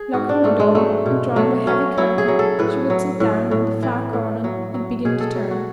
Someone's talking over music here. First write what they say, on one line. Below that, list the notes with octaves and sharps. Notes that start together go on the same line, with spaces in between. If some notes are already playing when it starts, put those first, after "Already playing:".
Locking the door and drawing the heavy curtain, she would sit down in the far corner and begin to turn.
Already playing: G#4
G#2 F#4
D4
G#2 A3
G#3
F#3 A3
B2
F#3 A3
F#3 C#4
F#3 E4
G#4
F#3
A4
A2 B4
F#3
A2
A2
E3
A2
F#3
F#3
B2 G#4
A4
F#3
F#4